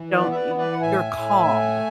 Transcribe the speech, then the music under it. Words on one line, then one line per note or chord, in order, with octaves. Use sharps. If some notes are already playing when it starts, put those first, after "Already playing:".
don't y y you're calm.
Already playing: E3
B4 D5
B3
E5
B4 D5
E3
B4 D5
F#5
A2 E5 G#5
A2
A3